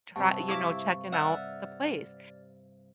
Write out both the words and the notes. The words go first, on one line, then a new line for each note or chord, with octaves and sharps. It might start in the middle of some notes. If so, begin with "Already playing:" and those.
try you know, checking out the place,
G2 C3 F#5 A5 C#6
E4 E5 F5 A5 C#6 D6
D5 E5 F#5 F6 A6